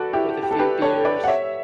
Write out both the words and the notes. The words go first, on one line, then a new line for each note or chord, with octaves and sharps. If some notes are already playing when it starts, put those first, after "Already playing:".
with a few beers,
Already playing: F#4 A4 B4 D5
E4 G4
G4
A4
G4 B4
A4 C#5
B4 D5
F#5
C#5 E5